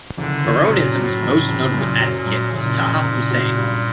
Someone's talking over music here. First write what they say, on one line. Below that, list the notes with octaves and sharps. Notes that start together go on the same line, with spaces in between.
Pharaonism's most notable advocate was Taha Hussein.
F#1 D3
F#1
A#2
F#3
A2 F#3
F#1
F#1
F#2 A#2
F#3
A#2
F#2
F#1 A#2
F#1
F#1
F#4
G2